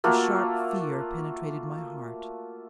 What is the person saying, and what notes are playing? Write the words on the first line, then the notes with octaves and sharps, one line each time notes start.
A sharp fear penetrated my heart.
A3 A#3 F4 F#4